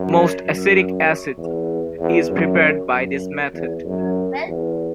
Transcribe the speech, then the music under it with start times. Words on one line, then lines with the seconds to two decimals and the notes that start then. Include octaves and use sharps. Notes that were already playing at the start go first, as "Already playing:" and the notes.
Most acetic acid is prepared by this method.
Already playing: F#2
0.45 F#2
1.38 E2
1.99 E2
2.30 F#2
2.92 F#2
3.53 E2
3.85 F#2
4.47 E2